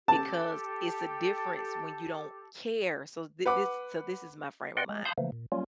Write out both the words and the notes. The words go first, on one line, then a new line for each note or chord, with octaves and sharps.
because it's a difference when you don't care, so thi this so this is my frame of mind,
G4 A4 A5
B4 F#5 D6
B4 D5 D#5 F#5 G5 C6
G#3
F5 A5 B5 C6 D#6 G6
C#3 E3 F3 A3 A#3
A#2
F#3 G3 A#3 C#4 F4